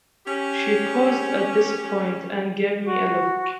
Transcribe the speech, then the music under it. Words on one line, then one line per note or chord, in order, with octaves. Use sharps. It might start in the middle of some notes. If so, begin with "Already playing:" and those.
She paused at this point and gave me a look.
C#4 G4
F#4